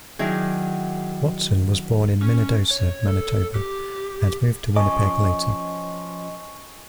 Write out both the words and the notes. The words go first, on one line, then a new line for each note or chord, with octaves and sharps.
Watson was born in Minnedosa, Manitoba and moved to Winnipeg later.
D#3 F#3 D4 E4 G#4
C#4
C#5
A4
G4
F3 C#4 D#5 G#5 A5 C#6 D6